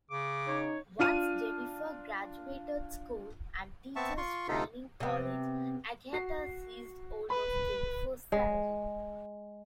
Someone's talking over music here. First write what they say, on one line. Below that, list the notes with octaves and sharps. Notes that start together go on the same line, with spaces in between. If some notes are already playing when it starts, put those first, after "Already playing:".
Once Jennifer graduated school and teachers' training college, Agatha seized hold of Jennifer's salary.
C#3 D6
C#4 D#4 C#5
D4 F4 F6 D#7
B3 C4 E5 A5 C#6
F4 C6 C#6
D2 C3 D#4 F4 A4
C3 B3
F#4 C7
B4 B5
G#3